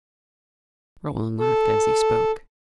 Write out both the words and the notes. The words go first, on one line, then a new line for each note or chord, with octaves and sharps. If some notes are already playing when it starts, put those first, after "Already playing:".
Roland laughed as he spoke.
A4